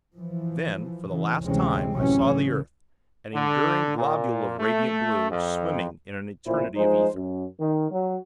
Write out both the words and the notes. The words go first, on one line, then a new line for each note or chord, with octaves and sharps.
Then, for the last time, I saw the earth--an enduring globule of radiant blue, swimming in an eternity of ether.
E3 F3
C#3 E3
D2 C3 E3 G#3 C4 C#4
A1 C3 E3 F#3 C#4
C#3
D3
A#2
A3
F2
A1 A#2 E4 C5
F3 G#3 D#4 C5
F#2
D#3
F#3